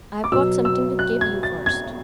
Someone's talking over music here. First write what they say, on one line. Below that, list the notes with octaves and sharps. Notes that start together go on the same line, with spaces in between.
I've got something to give you first.
D6
B2 F#3 E6
E6
F#6
G#6
A6
G#6